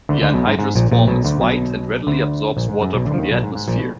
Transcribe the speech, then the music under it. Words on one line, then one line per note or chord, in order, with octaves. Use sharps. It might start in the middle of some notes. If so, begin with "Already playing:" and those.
The anhydrous form is white and readily absorbs water from the atmosphere.
D2 D3
D2 D3
B1 B2
G#2
G#2
A#1 A#2
A#1 A#2
B1 B2
D2 D3
B1 B2
D2 D3
A#1 A#2
G#2
F#2
B1 B2
D2 D3
F3
D#2 D#3
B1 B2
G#2
G#2
A#1 A#2
B2